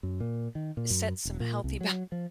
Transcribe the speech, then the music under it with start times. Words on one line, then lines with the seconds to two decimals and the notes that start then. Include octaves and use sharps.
set some healthy boun
0.03 F#2
0.20 A#2
0.55 D#3
0.77 A#2
0.90 F#2
1.25 E1
1.40 A#2
1.64 C2
1.81 F#3
2.12 F3